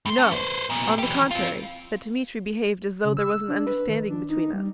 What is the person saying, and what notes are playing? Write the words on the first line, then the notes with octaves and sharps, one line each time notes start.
You know, on the contrary, that Dmitri behaved as though there was an understanding between us.
G2 C6
A3 C#4
B4 C5
A#2 B3
E3 G4
C4 F4
C#3
E6
D4
B4
D#3
D4
D#4
G3